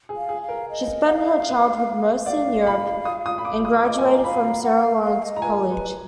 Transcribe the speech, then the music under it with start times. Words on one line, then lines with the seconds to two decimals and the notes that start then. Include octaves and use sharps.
She spent her childhood mostly in Europe and graduated from Sarah Lawrence College.
0.09 G#4
0.17 F5
0.29 G#4
0.42 F5
0.49 A#4
0.69 D#5
1.08 F#5
1.13 F5
1.48 B4
2.26 D5 F#5
2.30 F5
2.67 B5
3.05 D#6
3.26 D#6
3.38 B5
3.45 D6
3.65 D#6
3.85 F5 D6
3.88 D#5
3.98 G#5
4.05 A#5
4.24 F5 B5
4.43 A#5
4.63 F#5
4.83 F5
5.03 F5
5.22 D#5
5.36 A#5
5.42 B4 G#5
5.48 A#4
5.69 B4